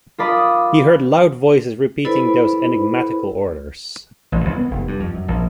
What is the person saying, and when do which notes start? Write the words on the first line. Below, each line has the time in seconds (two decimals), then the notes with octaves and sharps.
He heard loud voices repeating these enigmatical orders.
0.18 F4 A#4 D5 B5 D#6
2.05 E4 A4 B4 C5 D5 B5
4.32 A1
4.45 C2
4.56 B3
4.71 F1
4.88 G2
5.00 F2
5.14 F#2
5.28 A#1